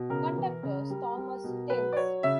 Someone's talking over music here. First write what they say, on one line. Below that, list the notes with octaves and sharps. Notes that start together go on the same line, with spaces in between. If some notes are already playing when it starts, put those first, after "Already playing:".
Conductor's Thomas Tales.
Already playing: B2
C#3 A#4
E3
C#3
G3
G3
B2
F#3 B4
D5
F#3 C#5
C#3 E5